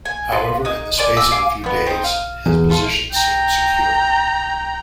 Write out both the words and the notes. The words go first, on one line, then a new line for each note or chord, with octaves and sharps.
However, in the space of a few days, his position seemed secure.
G#5
F4 F#4 B4
D#4 G#5
A#4 D5 G#5 D6
G#5 D6 E6
F5 G#5 D6
F2 B3
C4 D#4
F5
E2
A3 F4
G5 A#5